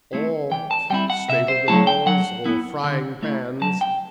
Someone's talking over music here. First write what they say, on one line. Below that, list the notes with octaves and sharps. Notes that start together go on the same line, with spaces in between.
Or stable doors, or frying-pans.
A3 C4 E4
E3 G5
A5
G3 C4 E4 G5
F#5
C3 E5
C5
F#3 A3 E4 A5
G5
F#3 F#5
B3 E4
D3
A3 E4
F#3 A5
G5